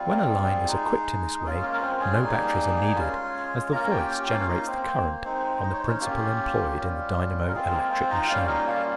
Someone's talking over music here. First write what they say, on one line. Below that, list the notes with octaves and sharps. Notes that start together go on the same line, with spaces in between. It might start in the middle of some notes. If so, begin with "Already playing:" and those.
When a line is equipped in this way no batteries are needed, as the voice generates the current, on the principle employed in the dynamo-electric machine.
Already playing: G3 C4 F4
A#3 A#4
G#4
G4
G#4
G#3 D#4
G#3 C#4 F4 G#4
A#3 A#4
A#4
C4 C5
G#4 G#5
G3 A#3 D#4
G#3 C#4 F4
A#3 C#4 F4 A#4 A#5
G#5
G4 G5
G4 G5
G5
F4 F5
A#3 D#4 D#5
C4 C5
C4 C5
G#3 C4 D#4 C5
D#5
C#5
C5
C#4 C#5
A#3 C#4 F4 G4
G3 C#4 F4
A#4
G#3 C4 F4 G#4
A#3 A#4
C4 C5
D#4 D#5
G5
G3 A#3 C#4 F4 F5
D#4 D#5
F4 F5